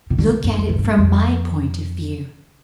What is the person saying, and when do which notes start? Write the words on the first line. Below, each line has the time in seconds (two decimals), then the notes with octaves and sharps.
Look at it from My point of view.
0.10 C3
0.18 D3
0.32 C3
0.44 G2
0.58 F2
0.69 A2
0.78 G2
0.98 F2